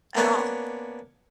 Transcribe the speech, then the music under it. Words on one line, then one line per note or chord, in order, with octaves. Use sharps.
at all,
A#3 B3 C#4 D4 A#4